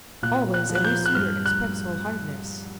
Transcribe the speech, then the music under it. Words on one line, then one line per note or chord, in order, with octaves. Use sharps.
Always every suitor expects whole heartedness.
A#2 F#6
F#6
F3
F#6
G6
F#6
G2 F6
F#6